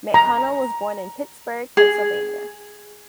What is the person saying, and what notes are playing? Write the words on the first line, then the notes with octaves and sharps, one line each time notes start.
McConnell was born in Pittsburgh, Pennsylvania.
A#5
G#4